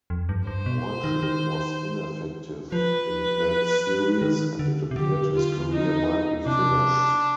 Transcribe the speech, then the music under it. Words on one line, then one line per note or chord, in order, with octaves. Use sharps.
Reuschel was ineffective in that Series, and it appeared his career might be finished.
F2
G2
G2 C5
B2
D#3
D#3
F3 B4
D#3
D3
C3
D3 G4
F4
D#4
C3 D4